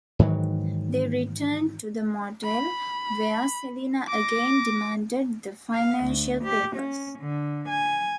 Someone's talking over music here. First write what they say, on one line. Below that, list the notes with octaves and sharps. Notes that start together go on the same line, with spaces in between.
They returned to the motel, where Selena again demanded the financial papers.
G#2 D#3 E3 F#3
B5
D6 A#6
F5
D2
G4
C#4
D3
G#5